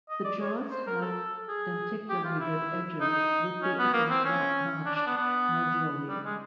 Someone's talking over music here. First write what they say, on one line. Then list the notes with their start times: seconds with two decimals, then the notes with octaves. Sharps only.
The jaws have denticulated edges with the upper not notched mesially.
0.09 D#5
0.24 D5
0.40 C#5
0.70 C5
0.87 A#4
1.01 A4
1.48 G#4
2.09 G4
2.24 F4
2.39 E4
3.01 D#4
3.62 C#4
3.79 B3
3.93 A#3
4.09 C4
4.24 C#4
4.85 D4
4.96 D4
5.06 B3
5.17 B3
6.09 G3
6.24 G#3